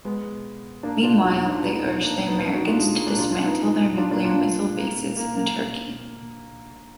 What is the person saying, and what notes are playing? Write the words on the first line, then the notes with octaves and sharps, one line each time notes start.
Meanwhile, they urged the Americans to dismantle their nuclear missile bases in Turkey.
G#3 B3
A#3 D4
D4 F4
D#4 F#4
D#4 F#4
D4 F4
B3 D#4
A#3 D4
B3 D#4
B3 D#4
D#4 F#4
D4 F4
G#3
A#3
A#3 D4
D4 F4
D4 F4
B3 D#4
D4 F4
A#3 D4
D4 F4
A#3
A#3
A#3